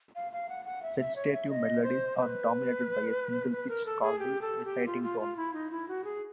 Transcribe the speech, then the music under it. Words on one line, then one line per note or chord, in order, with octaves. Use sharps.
Recitative melodies are dominated by a single pitch, called the "reciting tone".
F5
F5
F#5
F#5
E5
E5
C#5
E5
D#5
C5
C5
B4
B4
A#4
A4
G#4
G4
A4
G4
F4
F4
F4
E4
D#4
E4
F#4
G#4